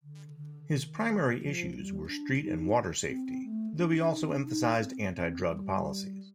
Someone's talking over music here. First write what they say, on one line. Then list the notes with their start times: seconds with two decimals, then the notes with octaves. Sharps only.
His primary issues were street and water safety, though he also emphasized anti-drug policies.
0.03 D3
0.36 D3
0.70 D#3
1.39 F3
1.73 G3
2.07 D4
2.41 D#4
2.58 D#4
3.08 C4
3.26 C4
3.44 A3
3.77 D4
3.89 D4
4.00 D4
4.11 D#4
4.21 C4
4.29 D4
4.45 D#4
4.80 C4
5.13 C4
5.48 G3